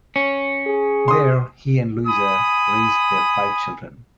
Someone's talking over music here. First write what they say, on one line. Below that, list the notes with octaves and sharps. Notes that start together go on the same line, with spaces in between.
There he and Louisa raised their five children.
C#4
G#4
C6 D#6
G#5 B5 D#6